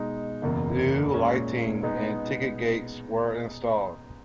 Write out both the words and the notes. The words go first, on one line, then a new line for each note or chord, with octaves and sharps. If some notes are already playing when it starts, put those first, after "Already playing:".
New lighting and ticket gates were installed.
Already playing: B2 G#3 D#4
F#1 E2 B2 A#3
A#2 G#3 C#4
B2 G#3 B3 D#4 G#4